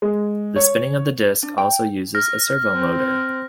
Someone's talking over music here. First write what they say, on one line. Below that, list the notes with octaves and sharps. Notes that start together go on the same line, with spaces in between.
The spinning of the disk also uses a servo motor.
G#3
C#5
D4
G5
F6 A#6
C4